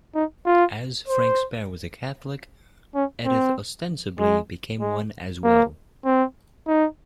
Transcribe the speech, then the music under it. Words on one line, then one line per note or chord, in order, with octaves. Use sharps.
As Frank Spare was a Catholic, Edith ostensibly became one as well.
D#4
F4
C5
C#4
C4
G#3
G#3
A#3
C4
D#4